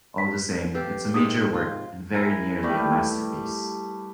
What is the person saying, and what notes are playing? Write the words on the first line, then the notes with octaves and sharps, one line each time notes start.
All the same it's a major work and very nearly a masterpiece...
B6
G4 A4 B4 F5
G#2 C3 D#6
F4
E4 A#4 G#5 A#5
G3 A3 G4 B4